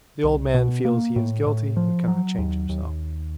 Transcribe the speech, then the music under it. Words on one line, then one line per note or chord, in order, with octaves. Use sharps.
The old man feels he is guilty, but cannot change himself.
C2
B2
A#3
A2
A2
F3
F#3
D#2
D#2